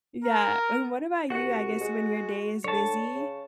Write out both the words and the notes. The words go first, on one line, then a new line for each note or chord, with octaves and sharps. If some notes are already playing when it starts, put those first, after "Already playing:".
Yeah, and what about you, I guess when your day is busy,
A#4
C2 F#4 F#5
G#3
D3 C#5 A5
C#3